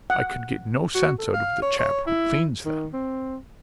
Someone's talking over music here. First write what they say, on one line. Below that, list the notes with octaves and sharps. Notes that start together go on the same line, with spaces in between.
I could get no sense out of the chap who cleans them.
F#5
F#4
A4
F5
C#5
C#5
E4
D#3
C4